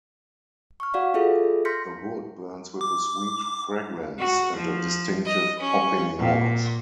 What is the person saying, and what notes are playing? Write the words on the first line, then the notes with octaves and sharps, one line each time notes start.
The wood burns with a sweet fragrance and a distinctive popping noise.
C#6 F6
F#4 D5 F5 F#5
F4 G#4 A4 E5
C6 F6 G6 A#6 B6 C#7
D6
F#4
F3
D#5
C#4
A#2